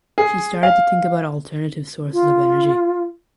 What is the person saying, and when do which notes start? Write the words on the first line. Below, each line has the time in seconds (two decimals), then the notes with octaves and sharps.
She started to think about alternative sources of energy.
0.18 G#4
0.63 F5
2.13 F4